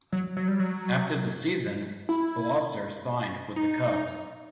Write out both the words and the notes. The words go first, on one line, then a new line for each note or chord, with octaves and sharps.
After the season, Blauser signed with the Cubs.
F#3
F#3
G3
F#3
E4
D#4